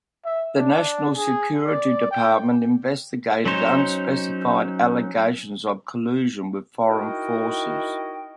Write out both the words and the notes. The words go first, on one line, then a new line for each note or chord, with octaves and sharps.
The national security department investigated unspecified allegations of collusion with foreign forces.
E5
D4
G#4
D5
G5
F#3 C#4 D#4 C5 C#5
D#4 E4 F#4 A#4 D#5 G5